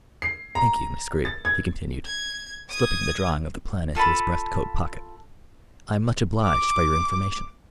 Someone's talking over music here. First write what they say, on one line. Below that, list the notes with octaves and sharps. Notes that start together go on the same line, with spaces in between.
Thank you, Miss Greeb," he continued, slipping the drawing of the plan into his breast coat pocket. "I am much obliged for your information.
C7
A#5
A6
G#6
G#6
D#6 G#6
F4 A4 A5 B5
D6